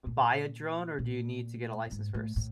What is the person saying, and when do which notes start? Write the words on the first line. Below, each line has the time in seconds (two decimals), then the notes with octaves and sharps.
Buy a drone or do you need to get a license first?
0.06 A#2
0.99 A#2
1.91 G#2
2.14 A2
2.36 A2